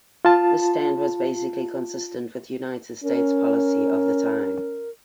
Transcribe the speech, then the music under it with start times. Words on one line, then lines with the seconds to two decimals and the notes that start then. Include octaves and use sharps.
This stand was basically consistent with United States policy of the time.
0.25 F4 A5
3.04 C#4 A#4